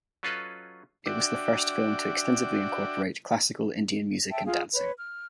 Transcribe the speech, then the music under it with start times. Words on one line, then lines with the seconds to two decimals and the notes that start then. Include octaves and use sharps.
It was the first film to extensively incorporate classical Indian music and dancing.
0.23 F#3 C#4 F4 A4 B4 D#5
1.06 D4 F#4 D5 E5 G5 D6
4.30 E5 G5 A5
4.46 F4 G#4 F5
4.73 B4 C#5
4.97 F6